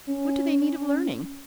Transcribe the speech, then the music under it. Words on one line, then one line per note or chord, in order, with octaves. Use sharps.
What do they need of learning?
C#4